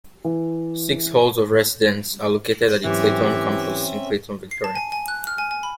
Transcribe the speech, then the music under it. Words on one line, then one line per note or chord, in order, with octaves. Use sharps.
Six halls of residence are located at the Clayton campus in Clayton, Victoria.
E3
G#2 E3 F#3 G#3 C4 C#4 G4 E5
C7
A5
G#5
G#5
F#6
F6
G#5
G#5
B5